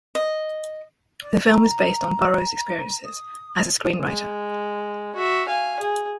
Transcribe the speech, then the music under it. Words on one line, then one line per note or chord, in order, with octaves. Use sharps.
The film is based on Burrows' experiences as a screen writer.
D#5
D5
A#5
D#6
G#3
F#4 E5
F5 G#5
G#4